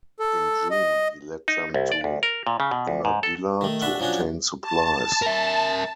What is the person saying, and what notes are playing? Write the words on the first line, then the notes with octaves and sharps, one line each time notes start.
In June, he led them to Unadilla to obtain supplies.
A4
D#5
D#4
C2
D5
D2
A#4
A#2
C#3
B2
D2
G#2
A4
D#3 A3
D4 E5 F#5 C#6
F3 F#3 C#4 D4 F#4
A5
A#4 E5